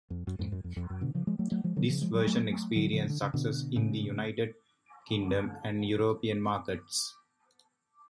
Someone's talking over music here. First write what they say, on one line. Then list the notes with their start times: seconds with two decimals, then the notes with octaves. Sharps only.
This version experienced success in the United Kingdom and European markets.
0.10 F2
0.27 F#2
0.39 F2 G#2
0.52 F#2
0.64 F2
0.76 F2
0.90 F#2
1.01 B2 D3
1.15 C#3 F3
1.27 F3 G#3
1.39 F#3 A3
1.52 F#3 A3
1.64 F3 G#3
1.76 D3 F#3
1.89 C#3 F3
2.01 F3 G#3
2.14 F#3 A3
2.27 F#3 A3
2.76 D3 F#3
2.93 C#3 F3
3.10 D3
3.22 C#3
3.34 B2 D3
3.76 A2 C#3